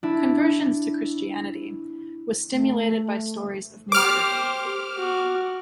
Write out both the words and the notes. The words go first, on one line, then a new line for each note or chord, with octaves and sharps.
Conversions to Christianity, was stimulated by stories of martyrhood.
D4 E4
A3
G4 C5 D6 F6
F#4